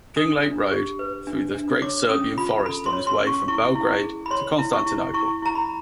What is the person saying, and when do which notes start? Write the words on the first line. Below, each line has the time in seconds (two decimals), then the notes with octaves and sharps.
Kinglake rode through the great Serbian forest on his way from Belgrade to Constantinople.
0.16 D4 D#6
0.44 D4
0.71 G4
0.99 B4
1.27 D4
1.55 D4
1.82 C#5 D6
2.09 C#4 D#6
2.38 F4 B5
2.65 A4 B5
2.86 C6
2.93 C#5
3.07 C6
3.21 C#4
3.27 C#6
3.48 E4 C#6
3.75 E4
4.03 G#4
4.26 B5
4.31 C#5 C6
4.59 E4
4.73 C#6
4.86 E4
5.14 E4 C#6
5.42 E4 A#5
5.55 B5